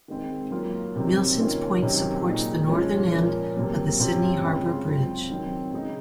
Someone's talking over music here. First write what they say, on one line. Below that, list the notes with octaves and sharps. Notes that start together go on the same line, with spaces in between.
Milsons Point supports the northern end of the Sydney Harbour Bridge.
D#3 G#3 C4
F#3 A#3 F4
C3 D#3 F#3 C4
D#3 A#3 C#4 F4
C3 D#3 F#3 C#4
A#2 G#3 D#4
F3 G#3 C#4 F4
A#2 F3 A#3 C#4
C3 F#3 A#3
C3 F#3 C#4 F4
C#3 G#3 C4 F4
F#3 C4 F4
D#3 F#3 C4
C#3 G#3 D#4